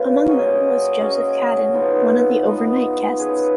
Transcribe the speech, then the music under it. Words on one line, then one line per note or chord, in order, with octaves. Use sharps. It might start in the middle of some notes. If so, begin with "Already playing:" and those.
Among them was Joseph Cadden, one of the overnight guests.
Already playing: A#3 C#4 F4 B4
F#3 C#4 G#4 D#5
F#3 C#4 G#4 D#5
F3 B3 D#4
F3 B3 D#4
C#4 G#4 B4